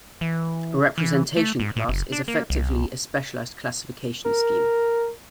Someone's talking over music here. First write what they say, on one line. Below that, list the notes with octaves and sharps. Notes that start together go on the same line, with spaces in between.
A "representation class" is effectively a specialized classification scheme.
E3
E3
A3
G#2
A2
F#1
D4
A#3
C2
A#4